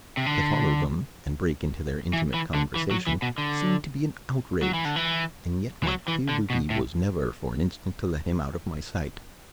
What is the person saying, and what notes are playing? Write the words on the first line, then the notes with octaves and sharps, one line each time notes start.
To follow them and break into their intimate conversation seemed to be an outrage, and yet my clear duty was never for an instant to let him out of my sight.
C3
D3
E3
E3
D3
E3
F#3
E3
B2
D3
F#3
E3
D3
E3
E3
F#3
E3
D3
B2
A2